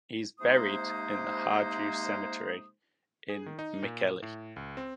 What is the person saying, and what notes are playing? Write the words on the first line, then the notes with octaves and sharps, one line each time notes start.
He is buried in the Harju cemetery in Mikkeli.
C3 G#3 A#3 D#4 C5 D#6
G#4
D#3
D#4
A#2
A2
C#2
C4